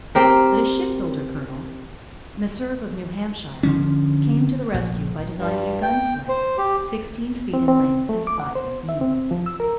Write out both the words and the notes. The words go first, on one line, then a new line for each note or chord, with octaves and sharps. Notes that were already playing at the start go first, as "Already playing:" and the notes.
But a ship-builder colonel, Meserve of New Hampshire, came to the rescue by designing a gun-sleigh, sixteen feet in length and five in the beam.
C4 G4 A#4
D3 F3 C#4
A#1
G2
G5
C5
G4
C4
C4
A3
D6
F#5
C5
E5
C4
F3
E6
A#4